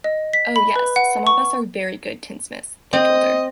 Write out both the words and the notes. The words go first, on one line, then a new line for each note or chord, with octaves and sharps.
"Oh, yes; some of us are very good tinsmiths," they told her.
D#5
B6
B5
B4
F#5
C#6
C4 D#5